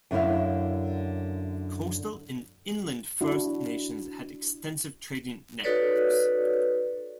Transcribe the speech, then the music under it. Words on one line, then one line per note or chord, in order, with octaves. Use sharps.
Coastal and inland First Nations had extensive trading networks.
F#2 D3 E4 F5
D4 E4 F#4
D#4 F#4 A4 B4 C#5 D5